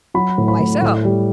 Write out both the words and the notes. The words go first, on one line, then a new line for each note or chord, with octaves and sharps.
"Why so?"
F#3 B5
A2
B5
A2
A2
G3